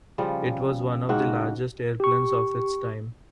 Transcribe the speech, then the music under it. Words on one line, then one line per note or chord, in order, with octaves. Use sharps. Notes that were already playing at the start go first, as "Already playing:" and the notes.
It was one of the largest airplanes of its time.
C#3 F3 G3
G#2 C#3 F#4 G5
G4 C#6